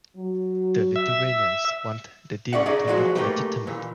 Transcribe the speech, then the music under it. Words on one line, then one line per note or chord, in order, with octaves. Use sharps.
The Lithuanians wanted the deal to look legitimate.
F#3
E5
C#4 D5 E5 F#5
D#4 G#4 D5 D#5
F3 F#3 G#3 F#4
A3 A#3 D4 D#4 G4 B4
A#2 E3